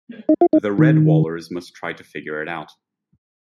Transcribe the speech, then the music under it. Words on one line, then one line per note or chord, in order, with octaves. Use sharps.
The Redwallers must try to figure it out...
D#4
F4
D#4
D#3